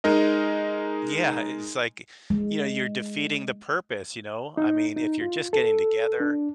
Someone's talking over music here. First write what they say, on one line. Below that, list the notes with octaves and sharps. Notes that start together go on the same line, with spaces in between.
Yeah, it's like, you know, you're defeating the purpose, you know? I mean, if you're just getting together,
G#3 D#4 A#4 D#5
G#3
D#4
D#4
F4
A4
D4